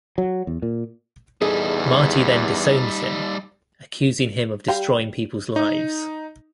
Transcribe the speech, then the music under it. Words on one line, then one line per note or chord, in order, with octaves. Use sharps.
Marty then disowns him, accusing him of destroying peoples' lives.
F#3
E2
A#2
E2 G3 D#4 G#4 A4 D#5
G3 G4 F5
D#4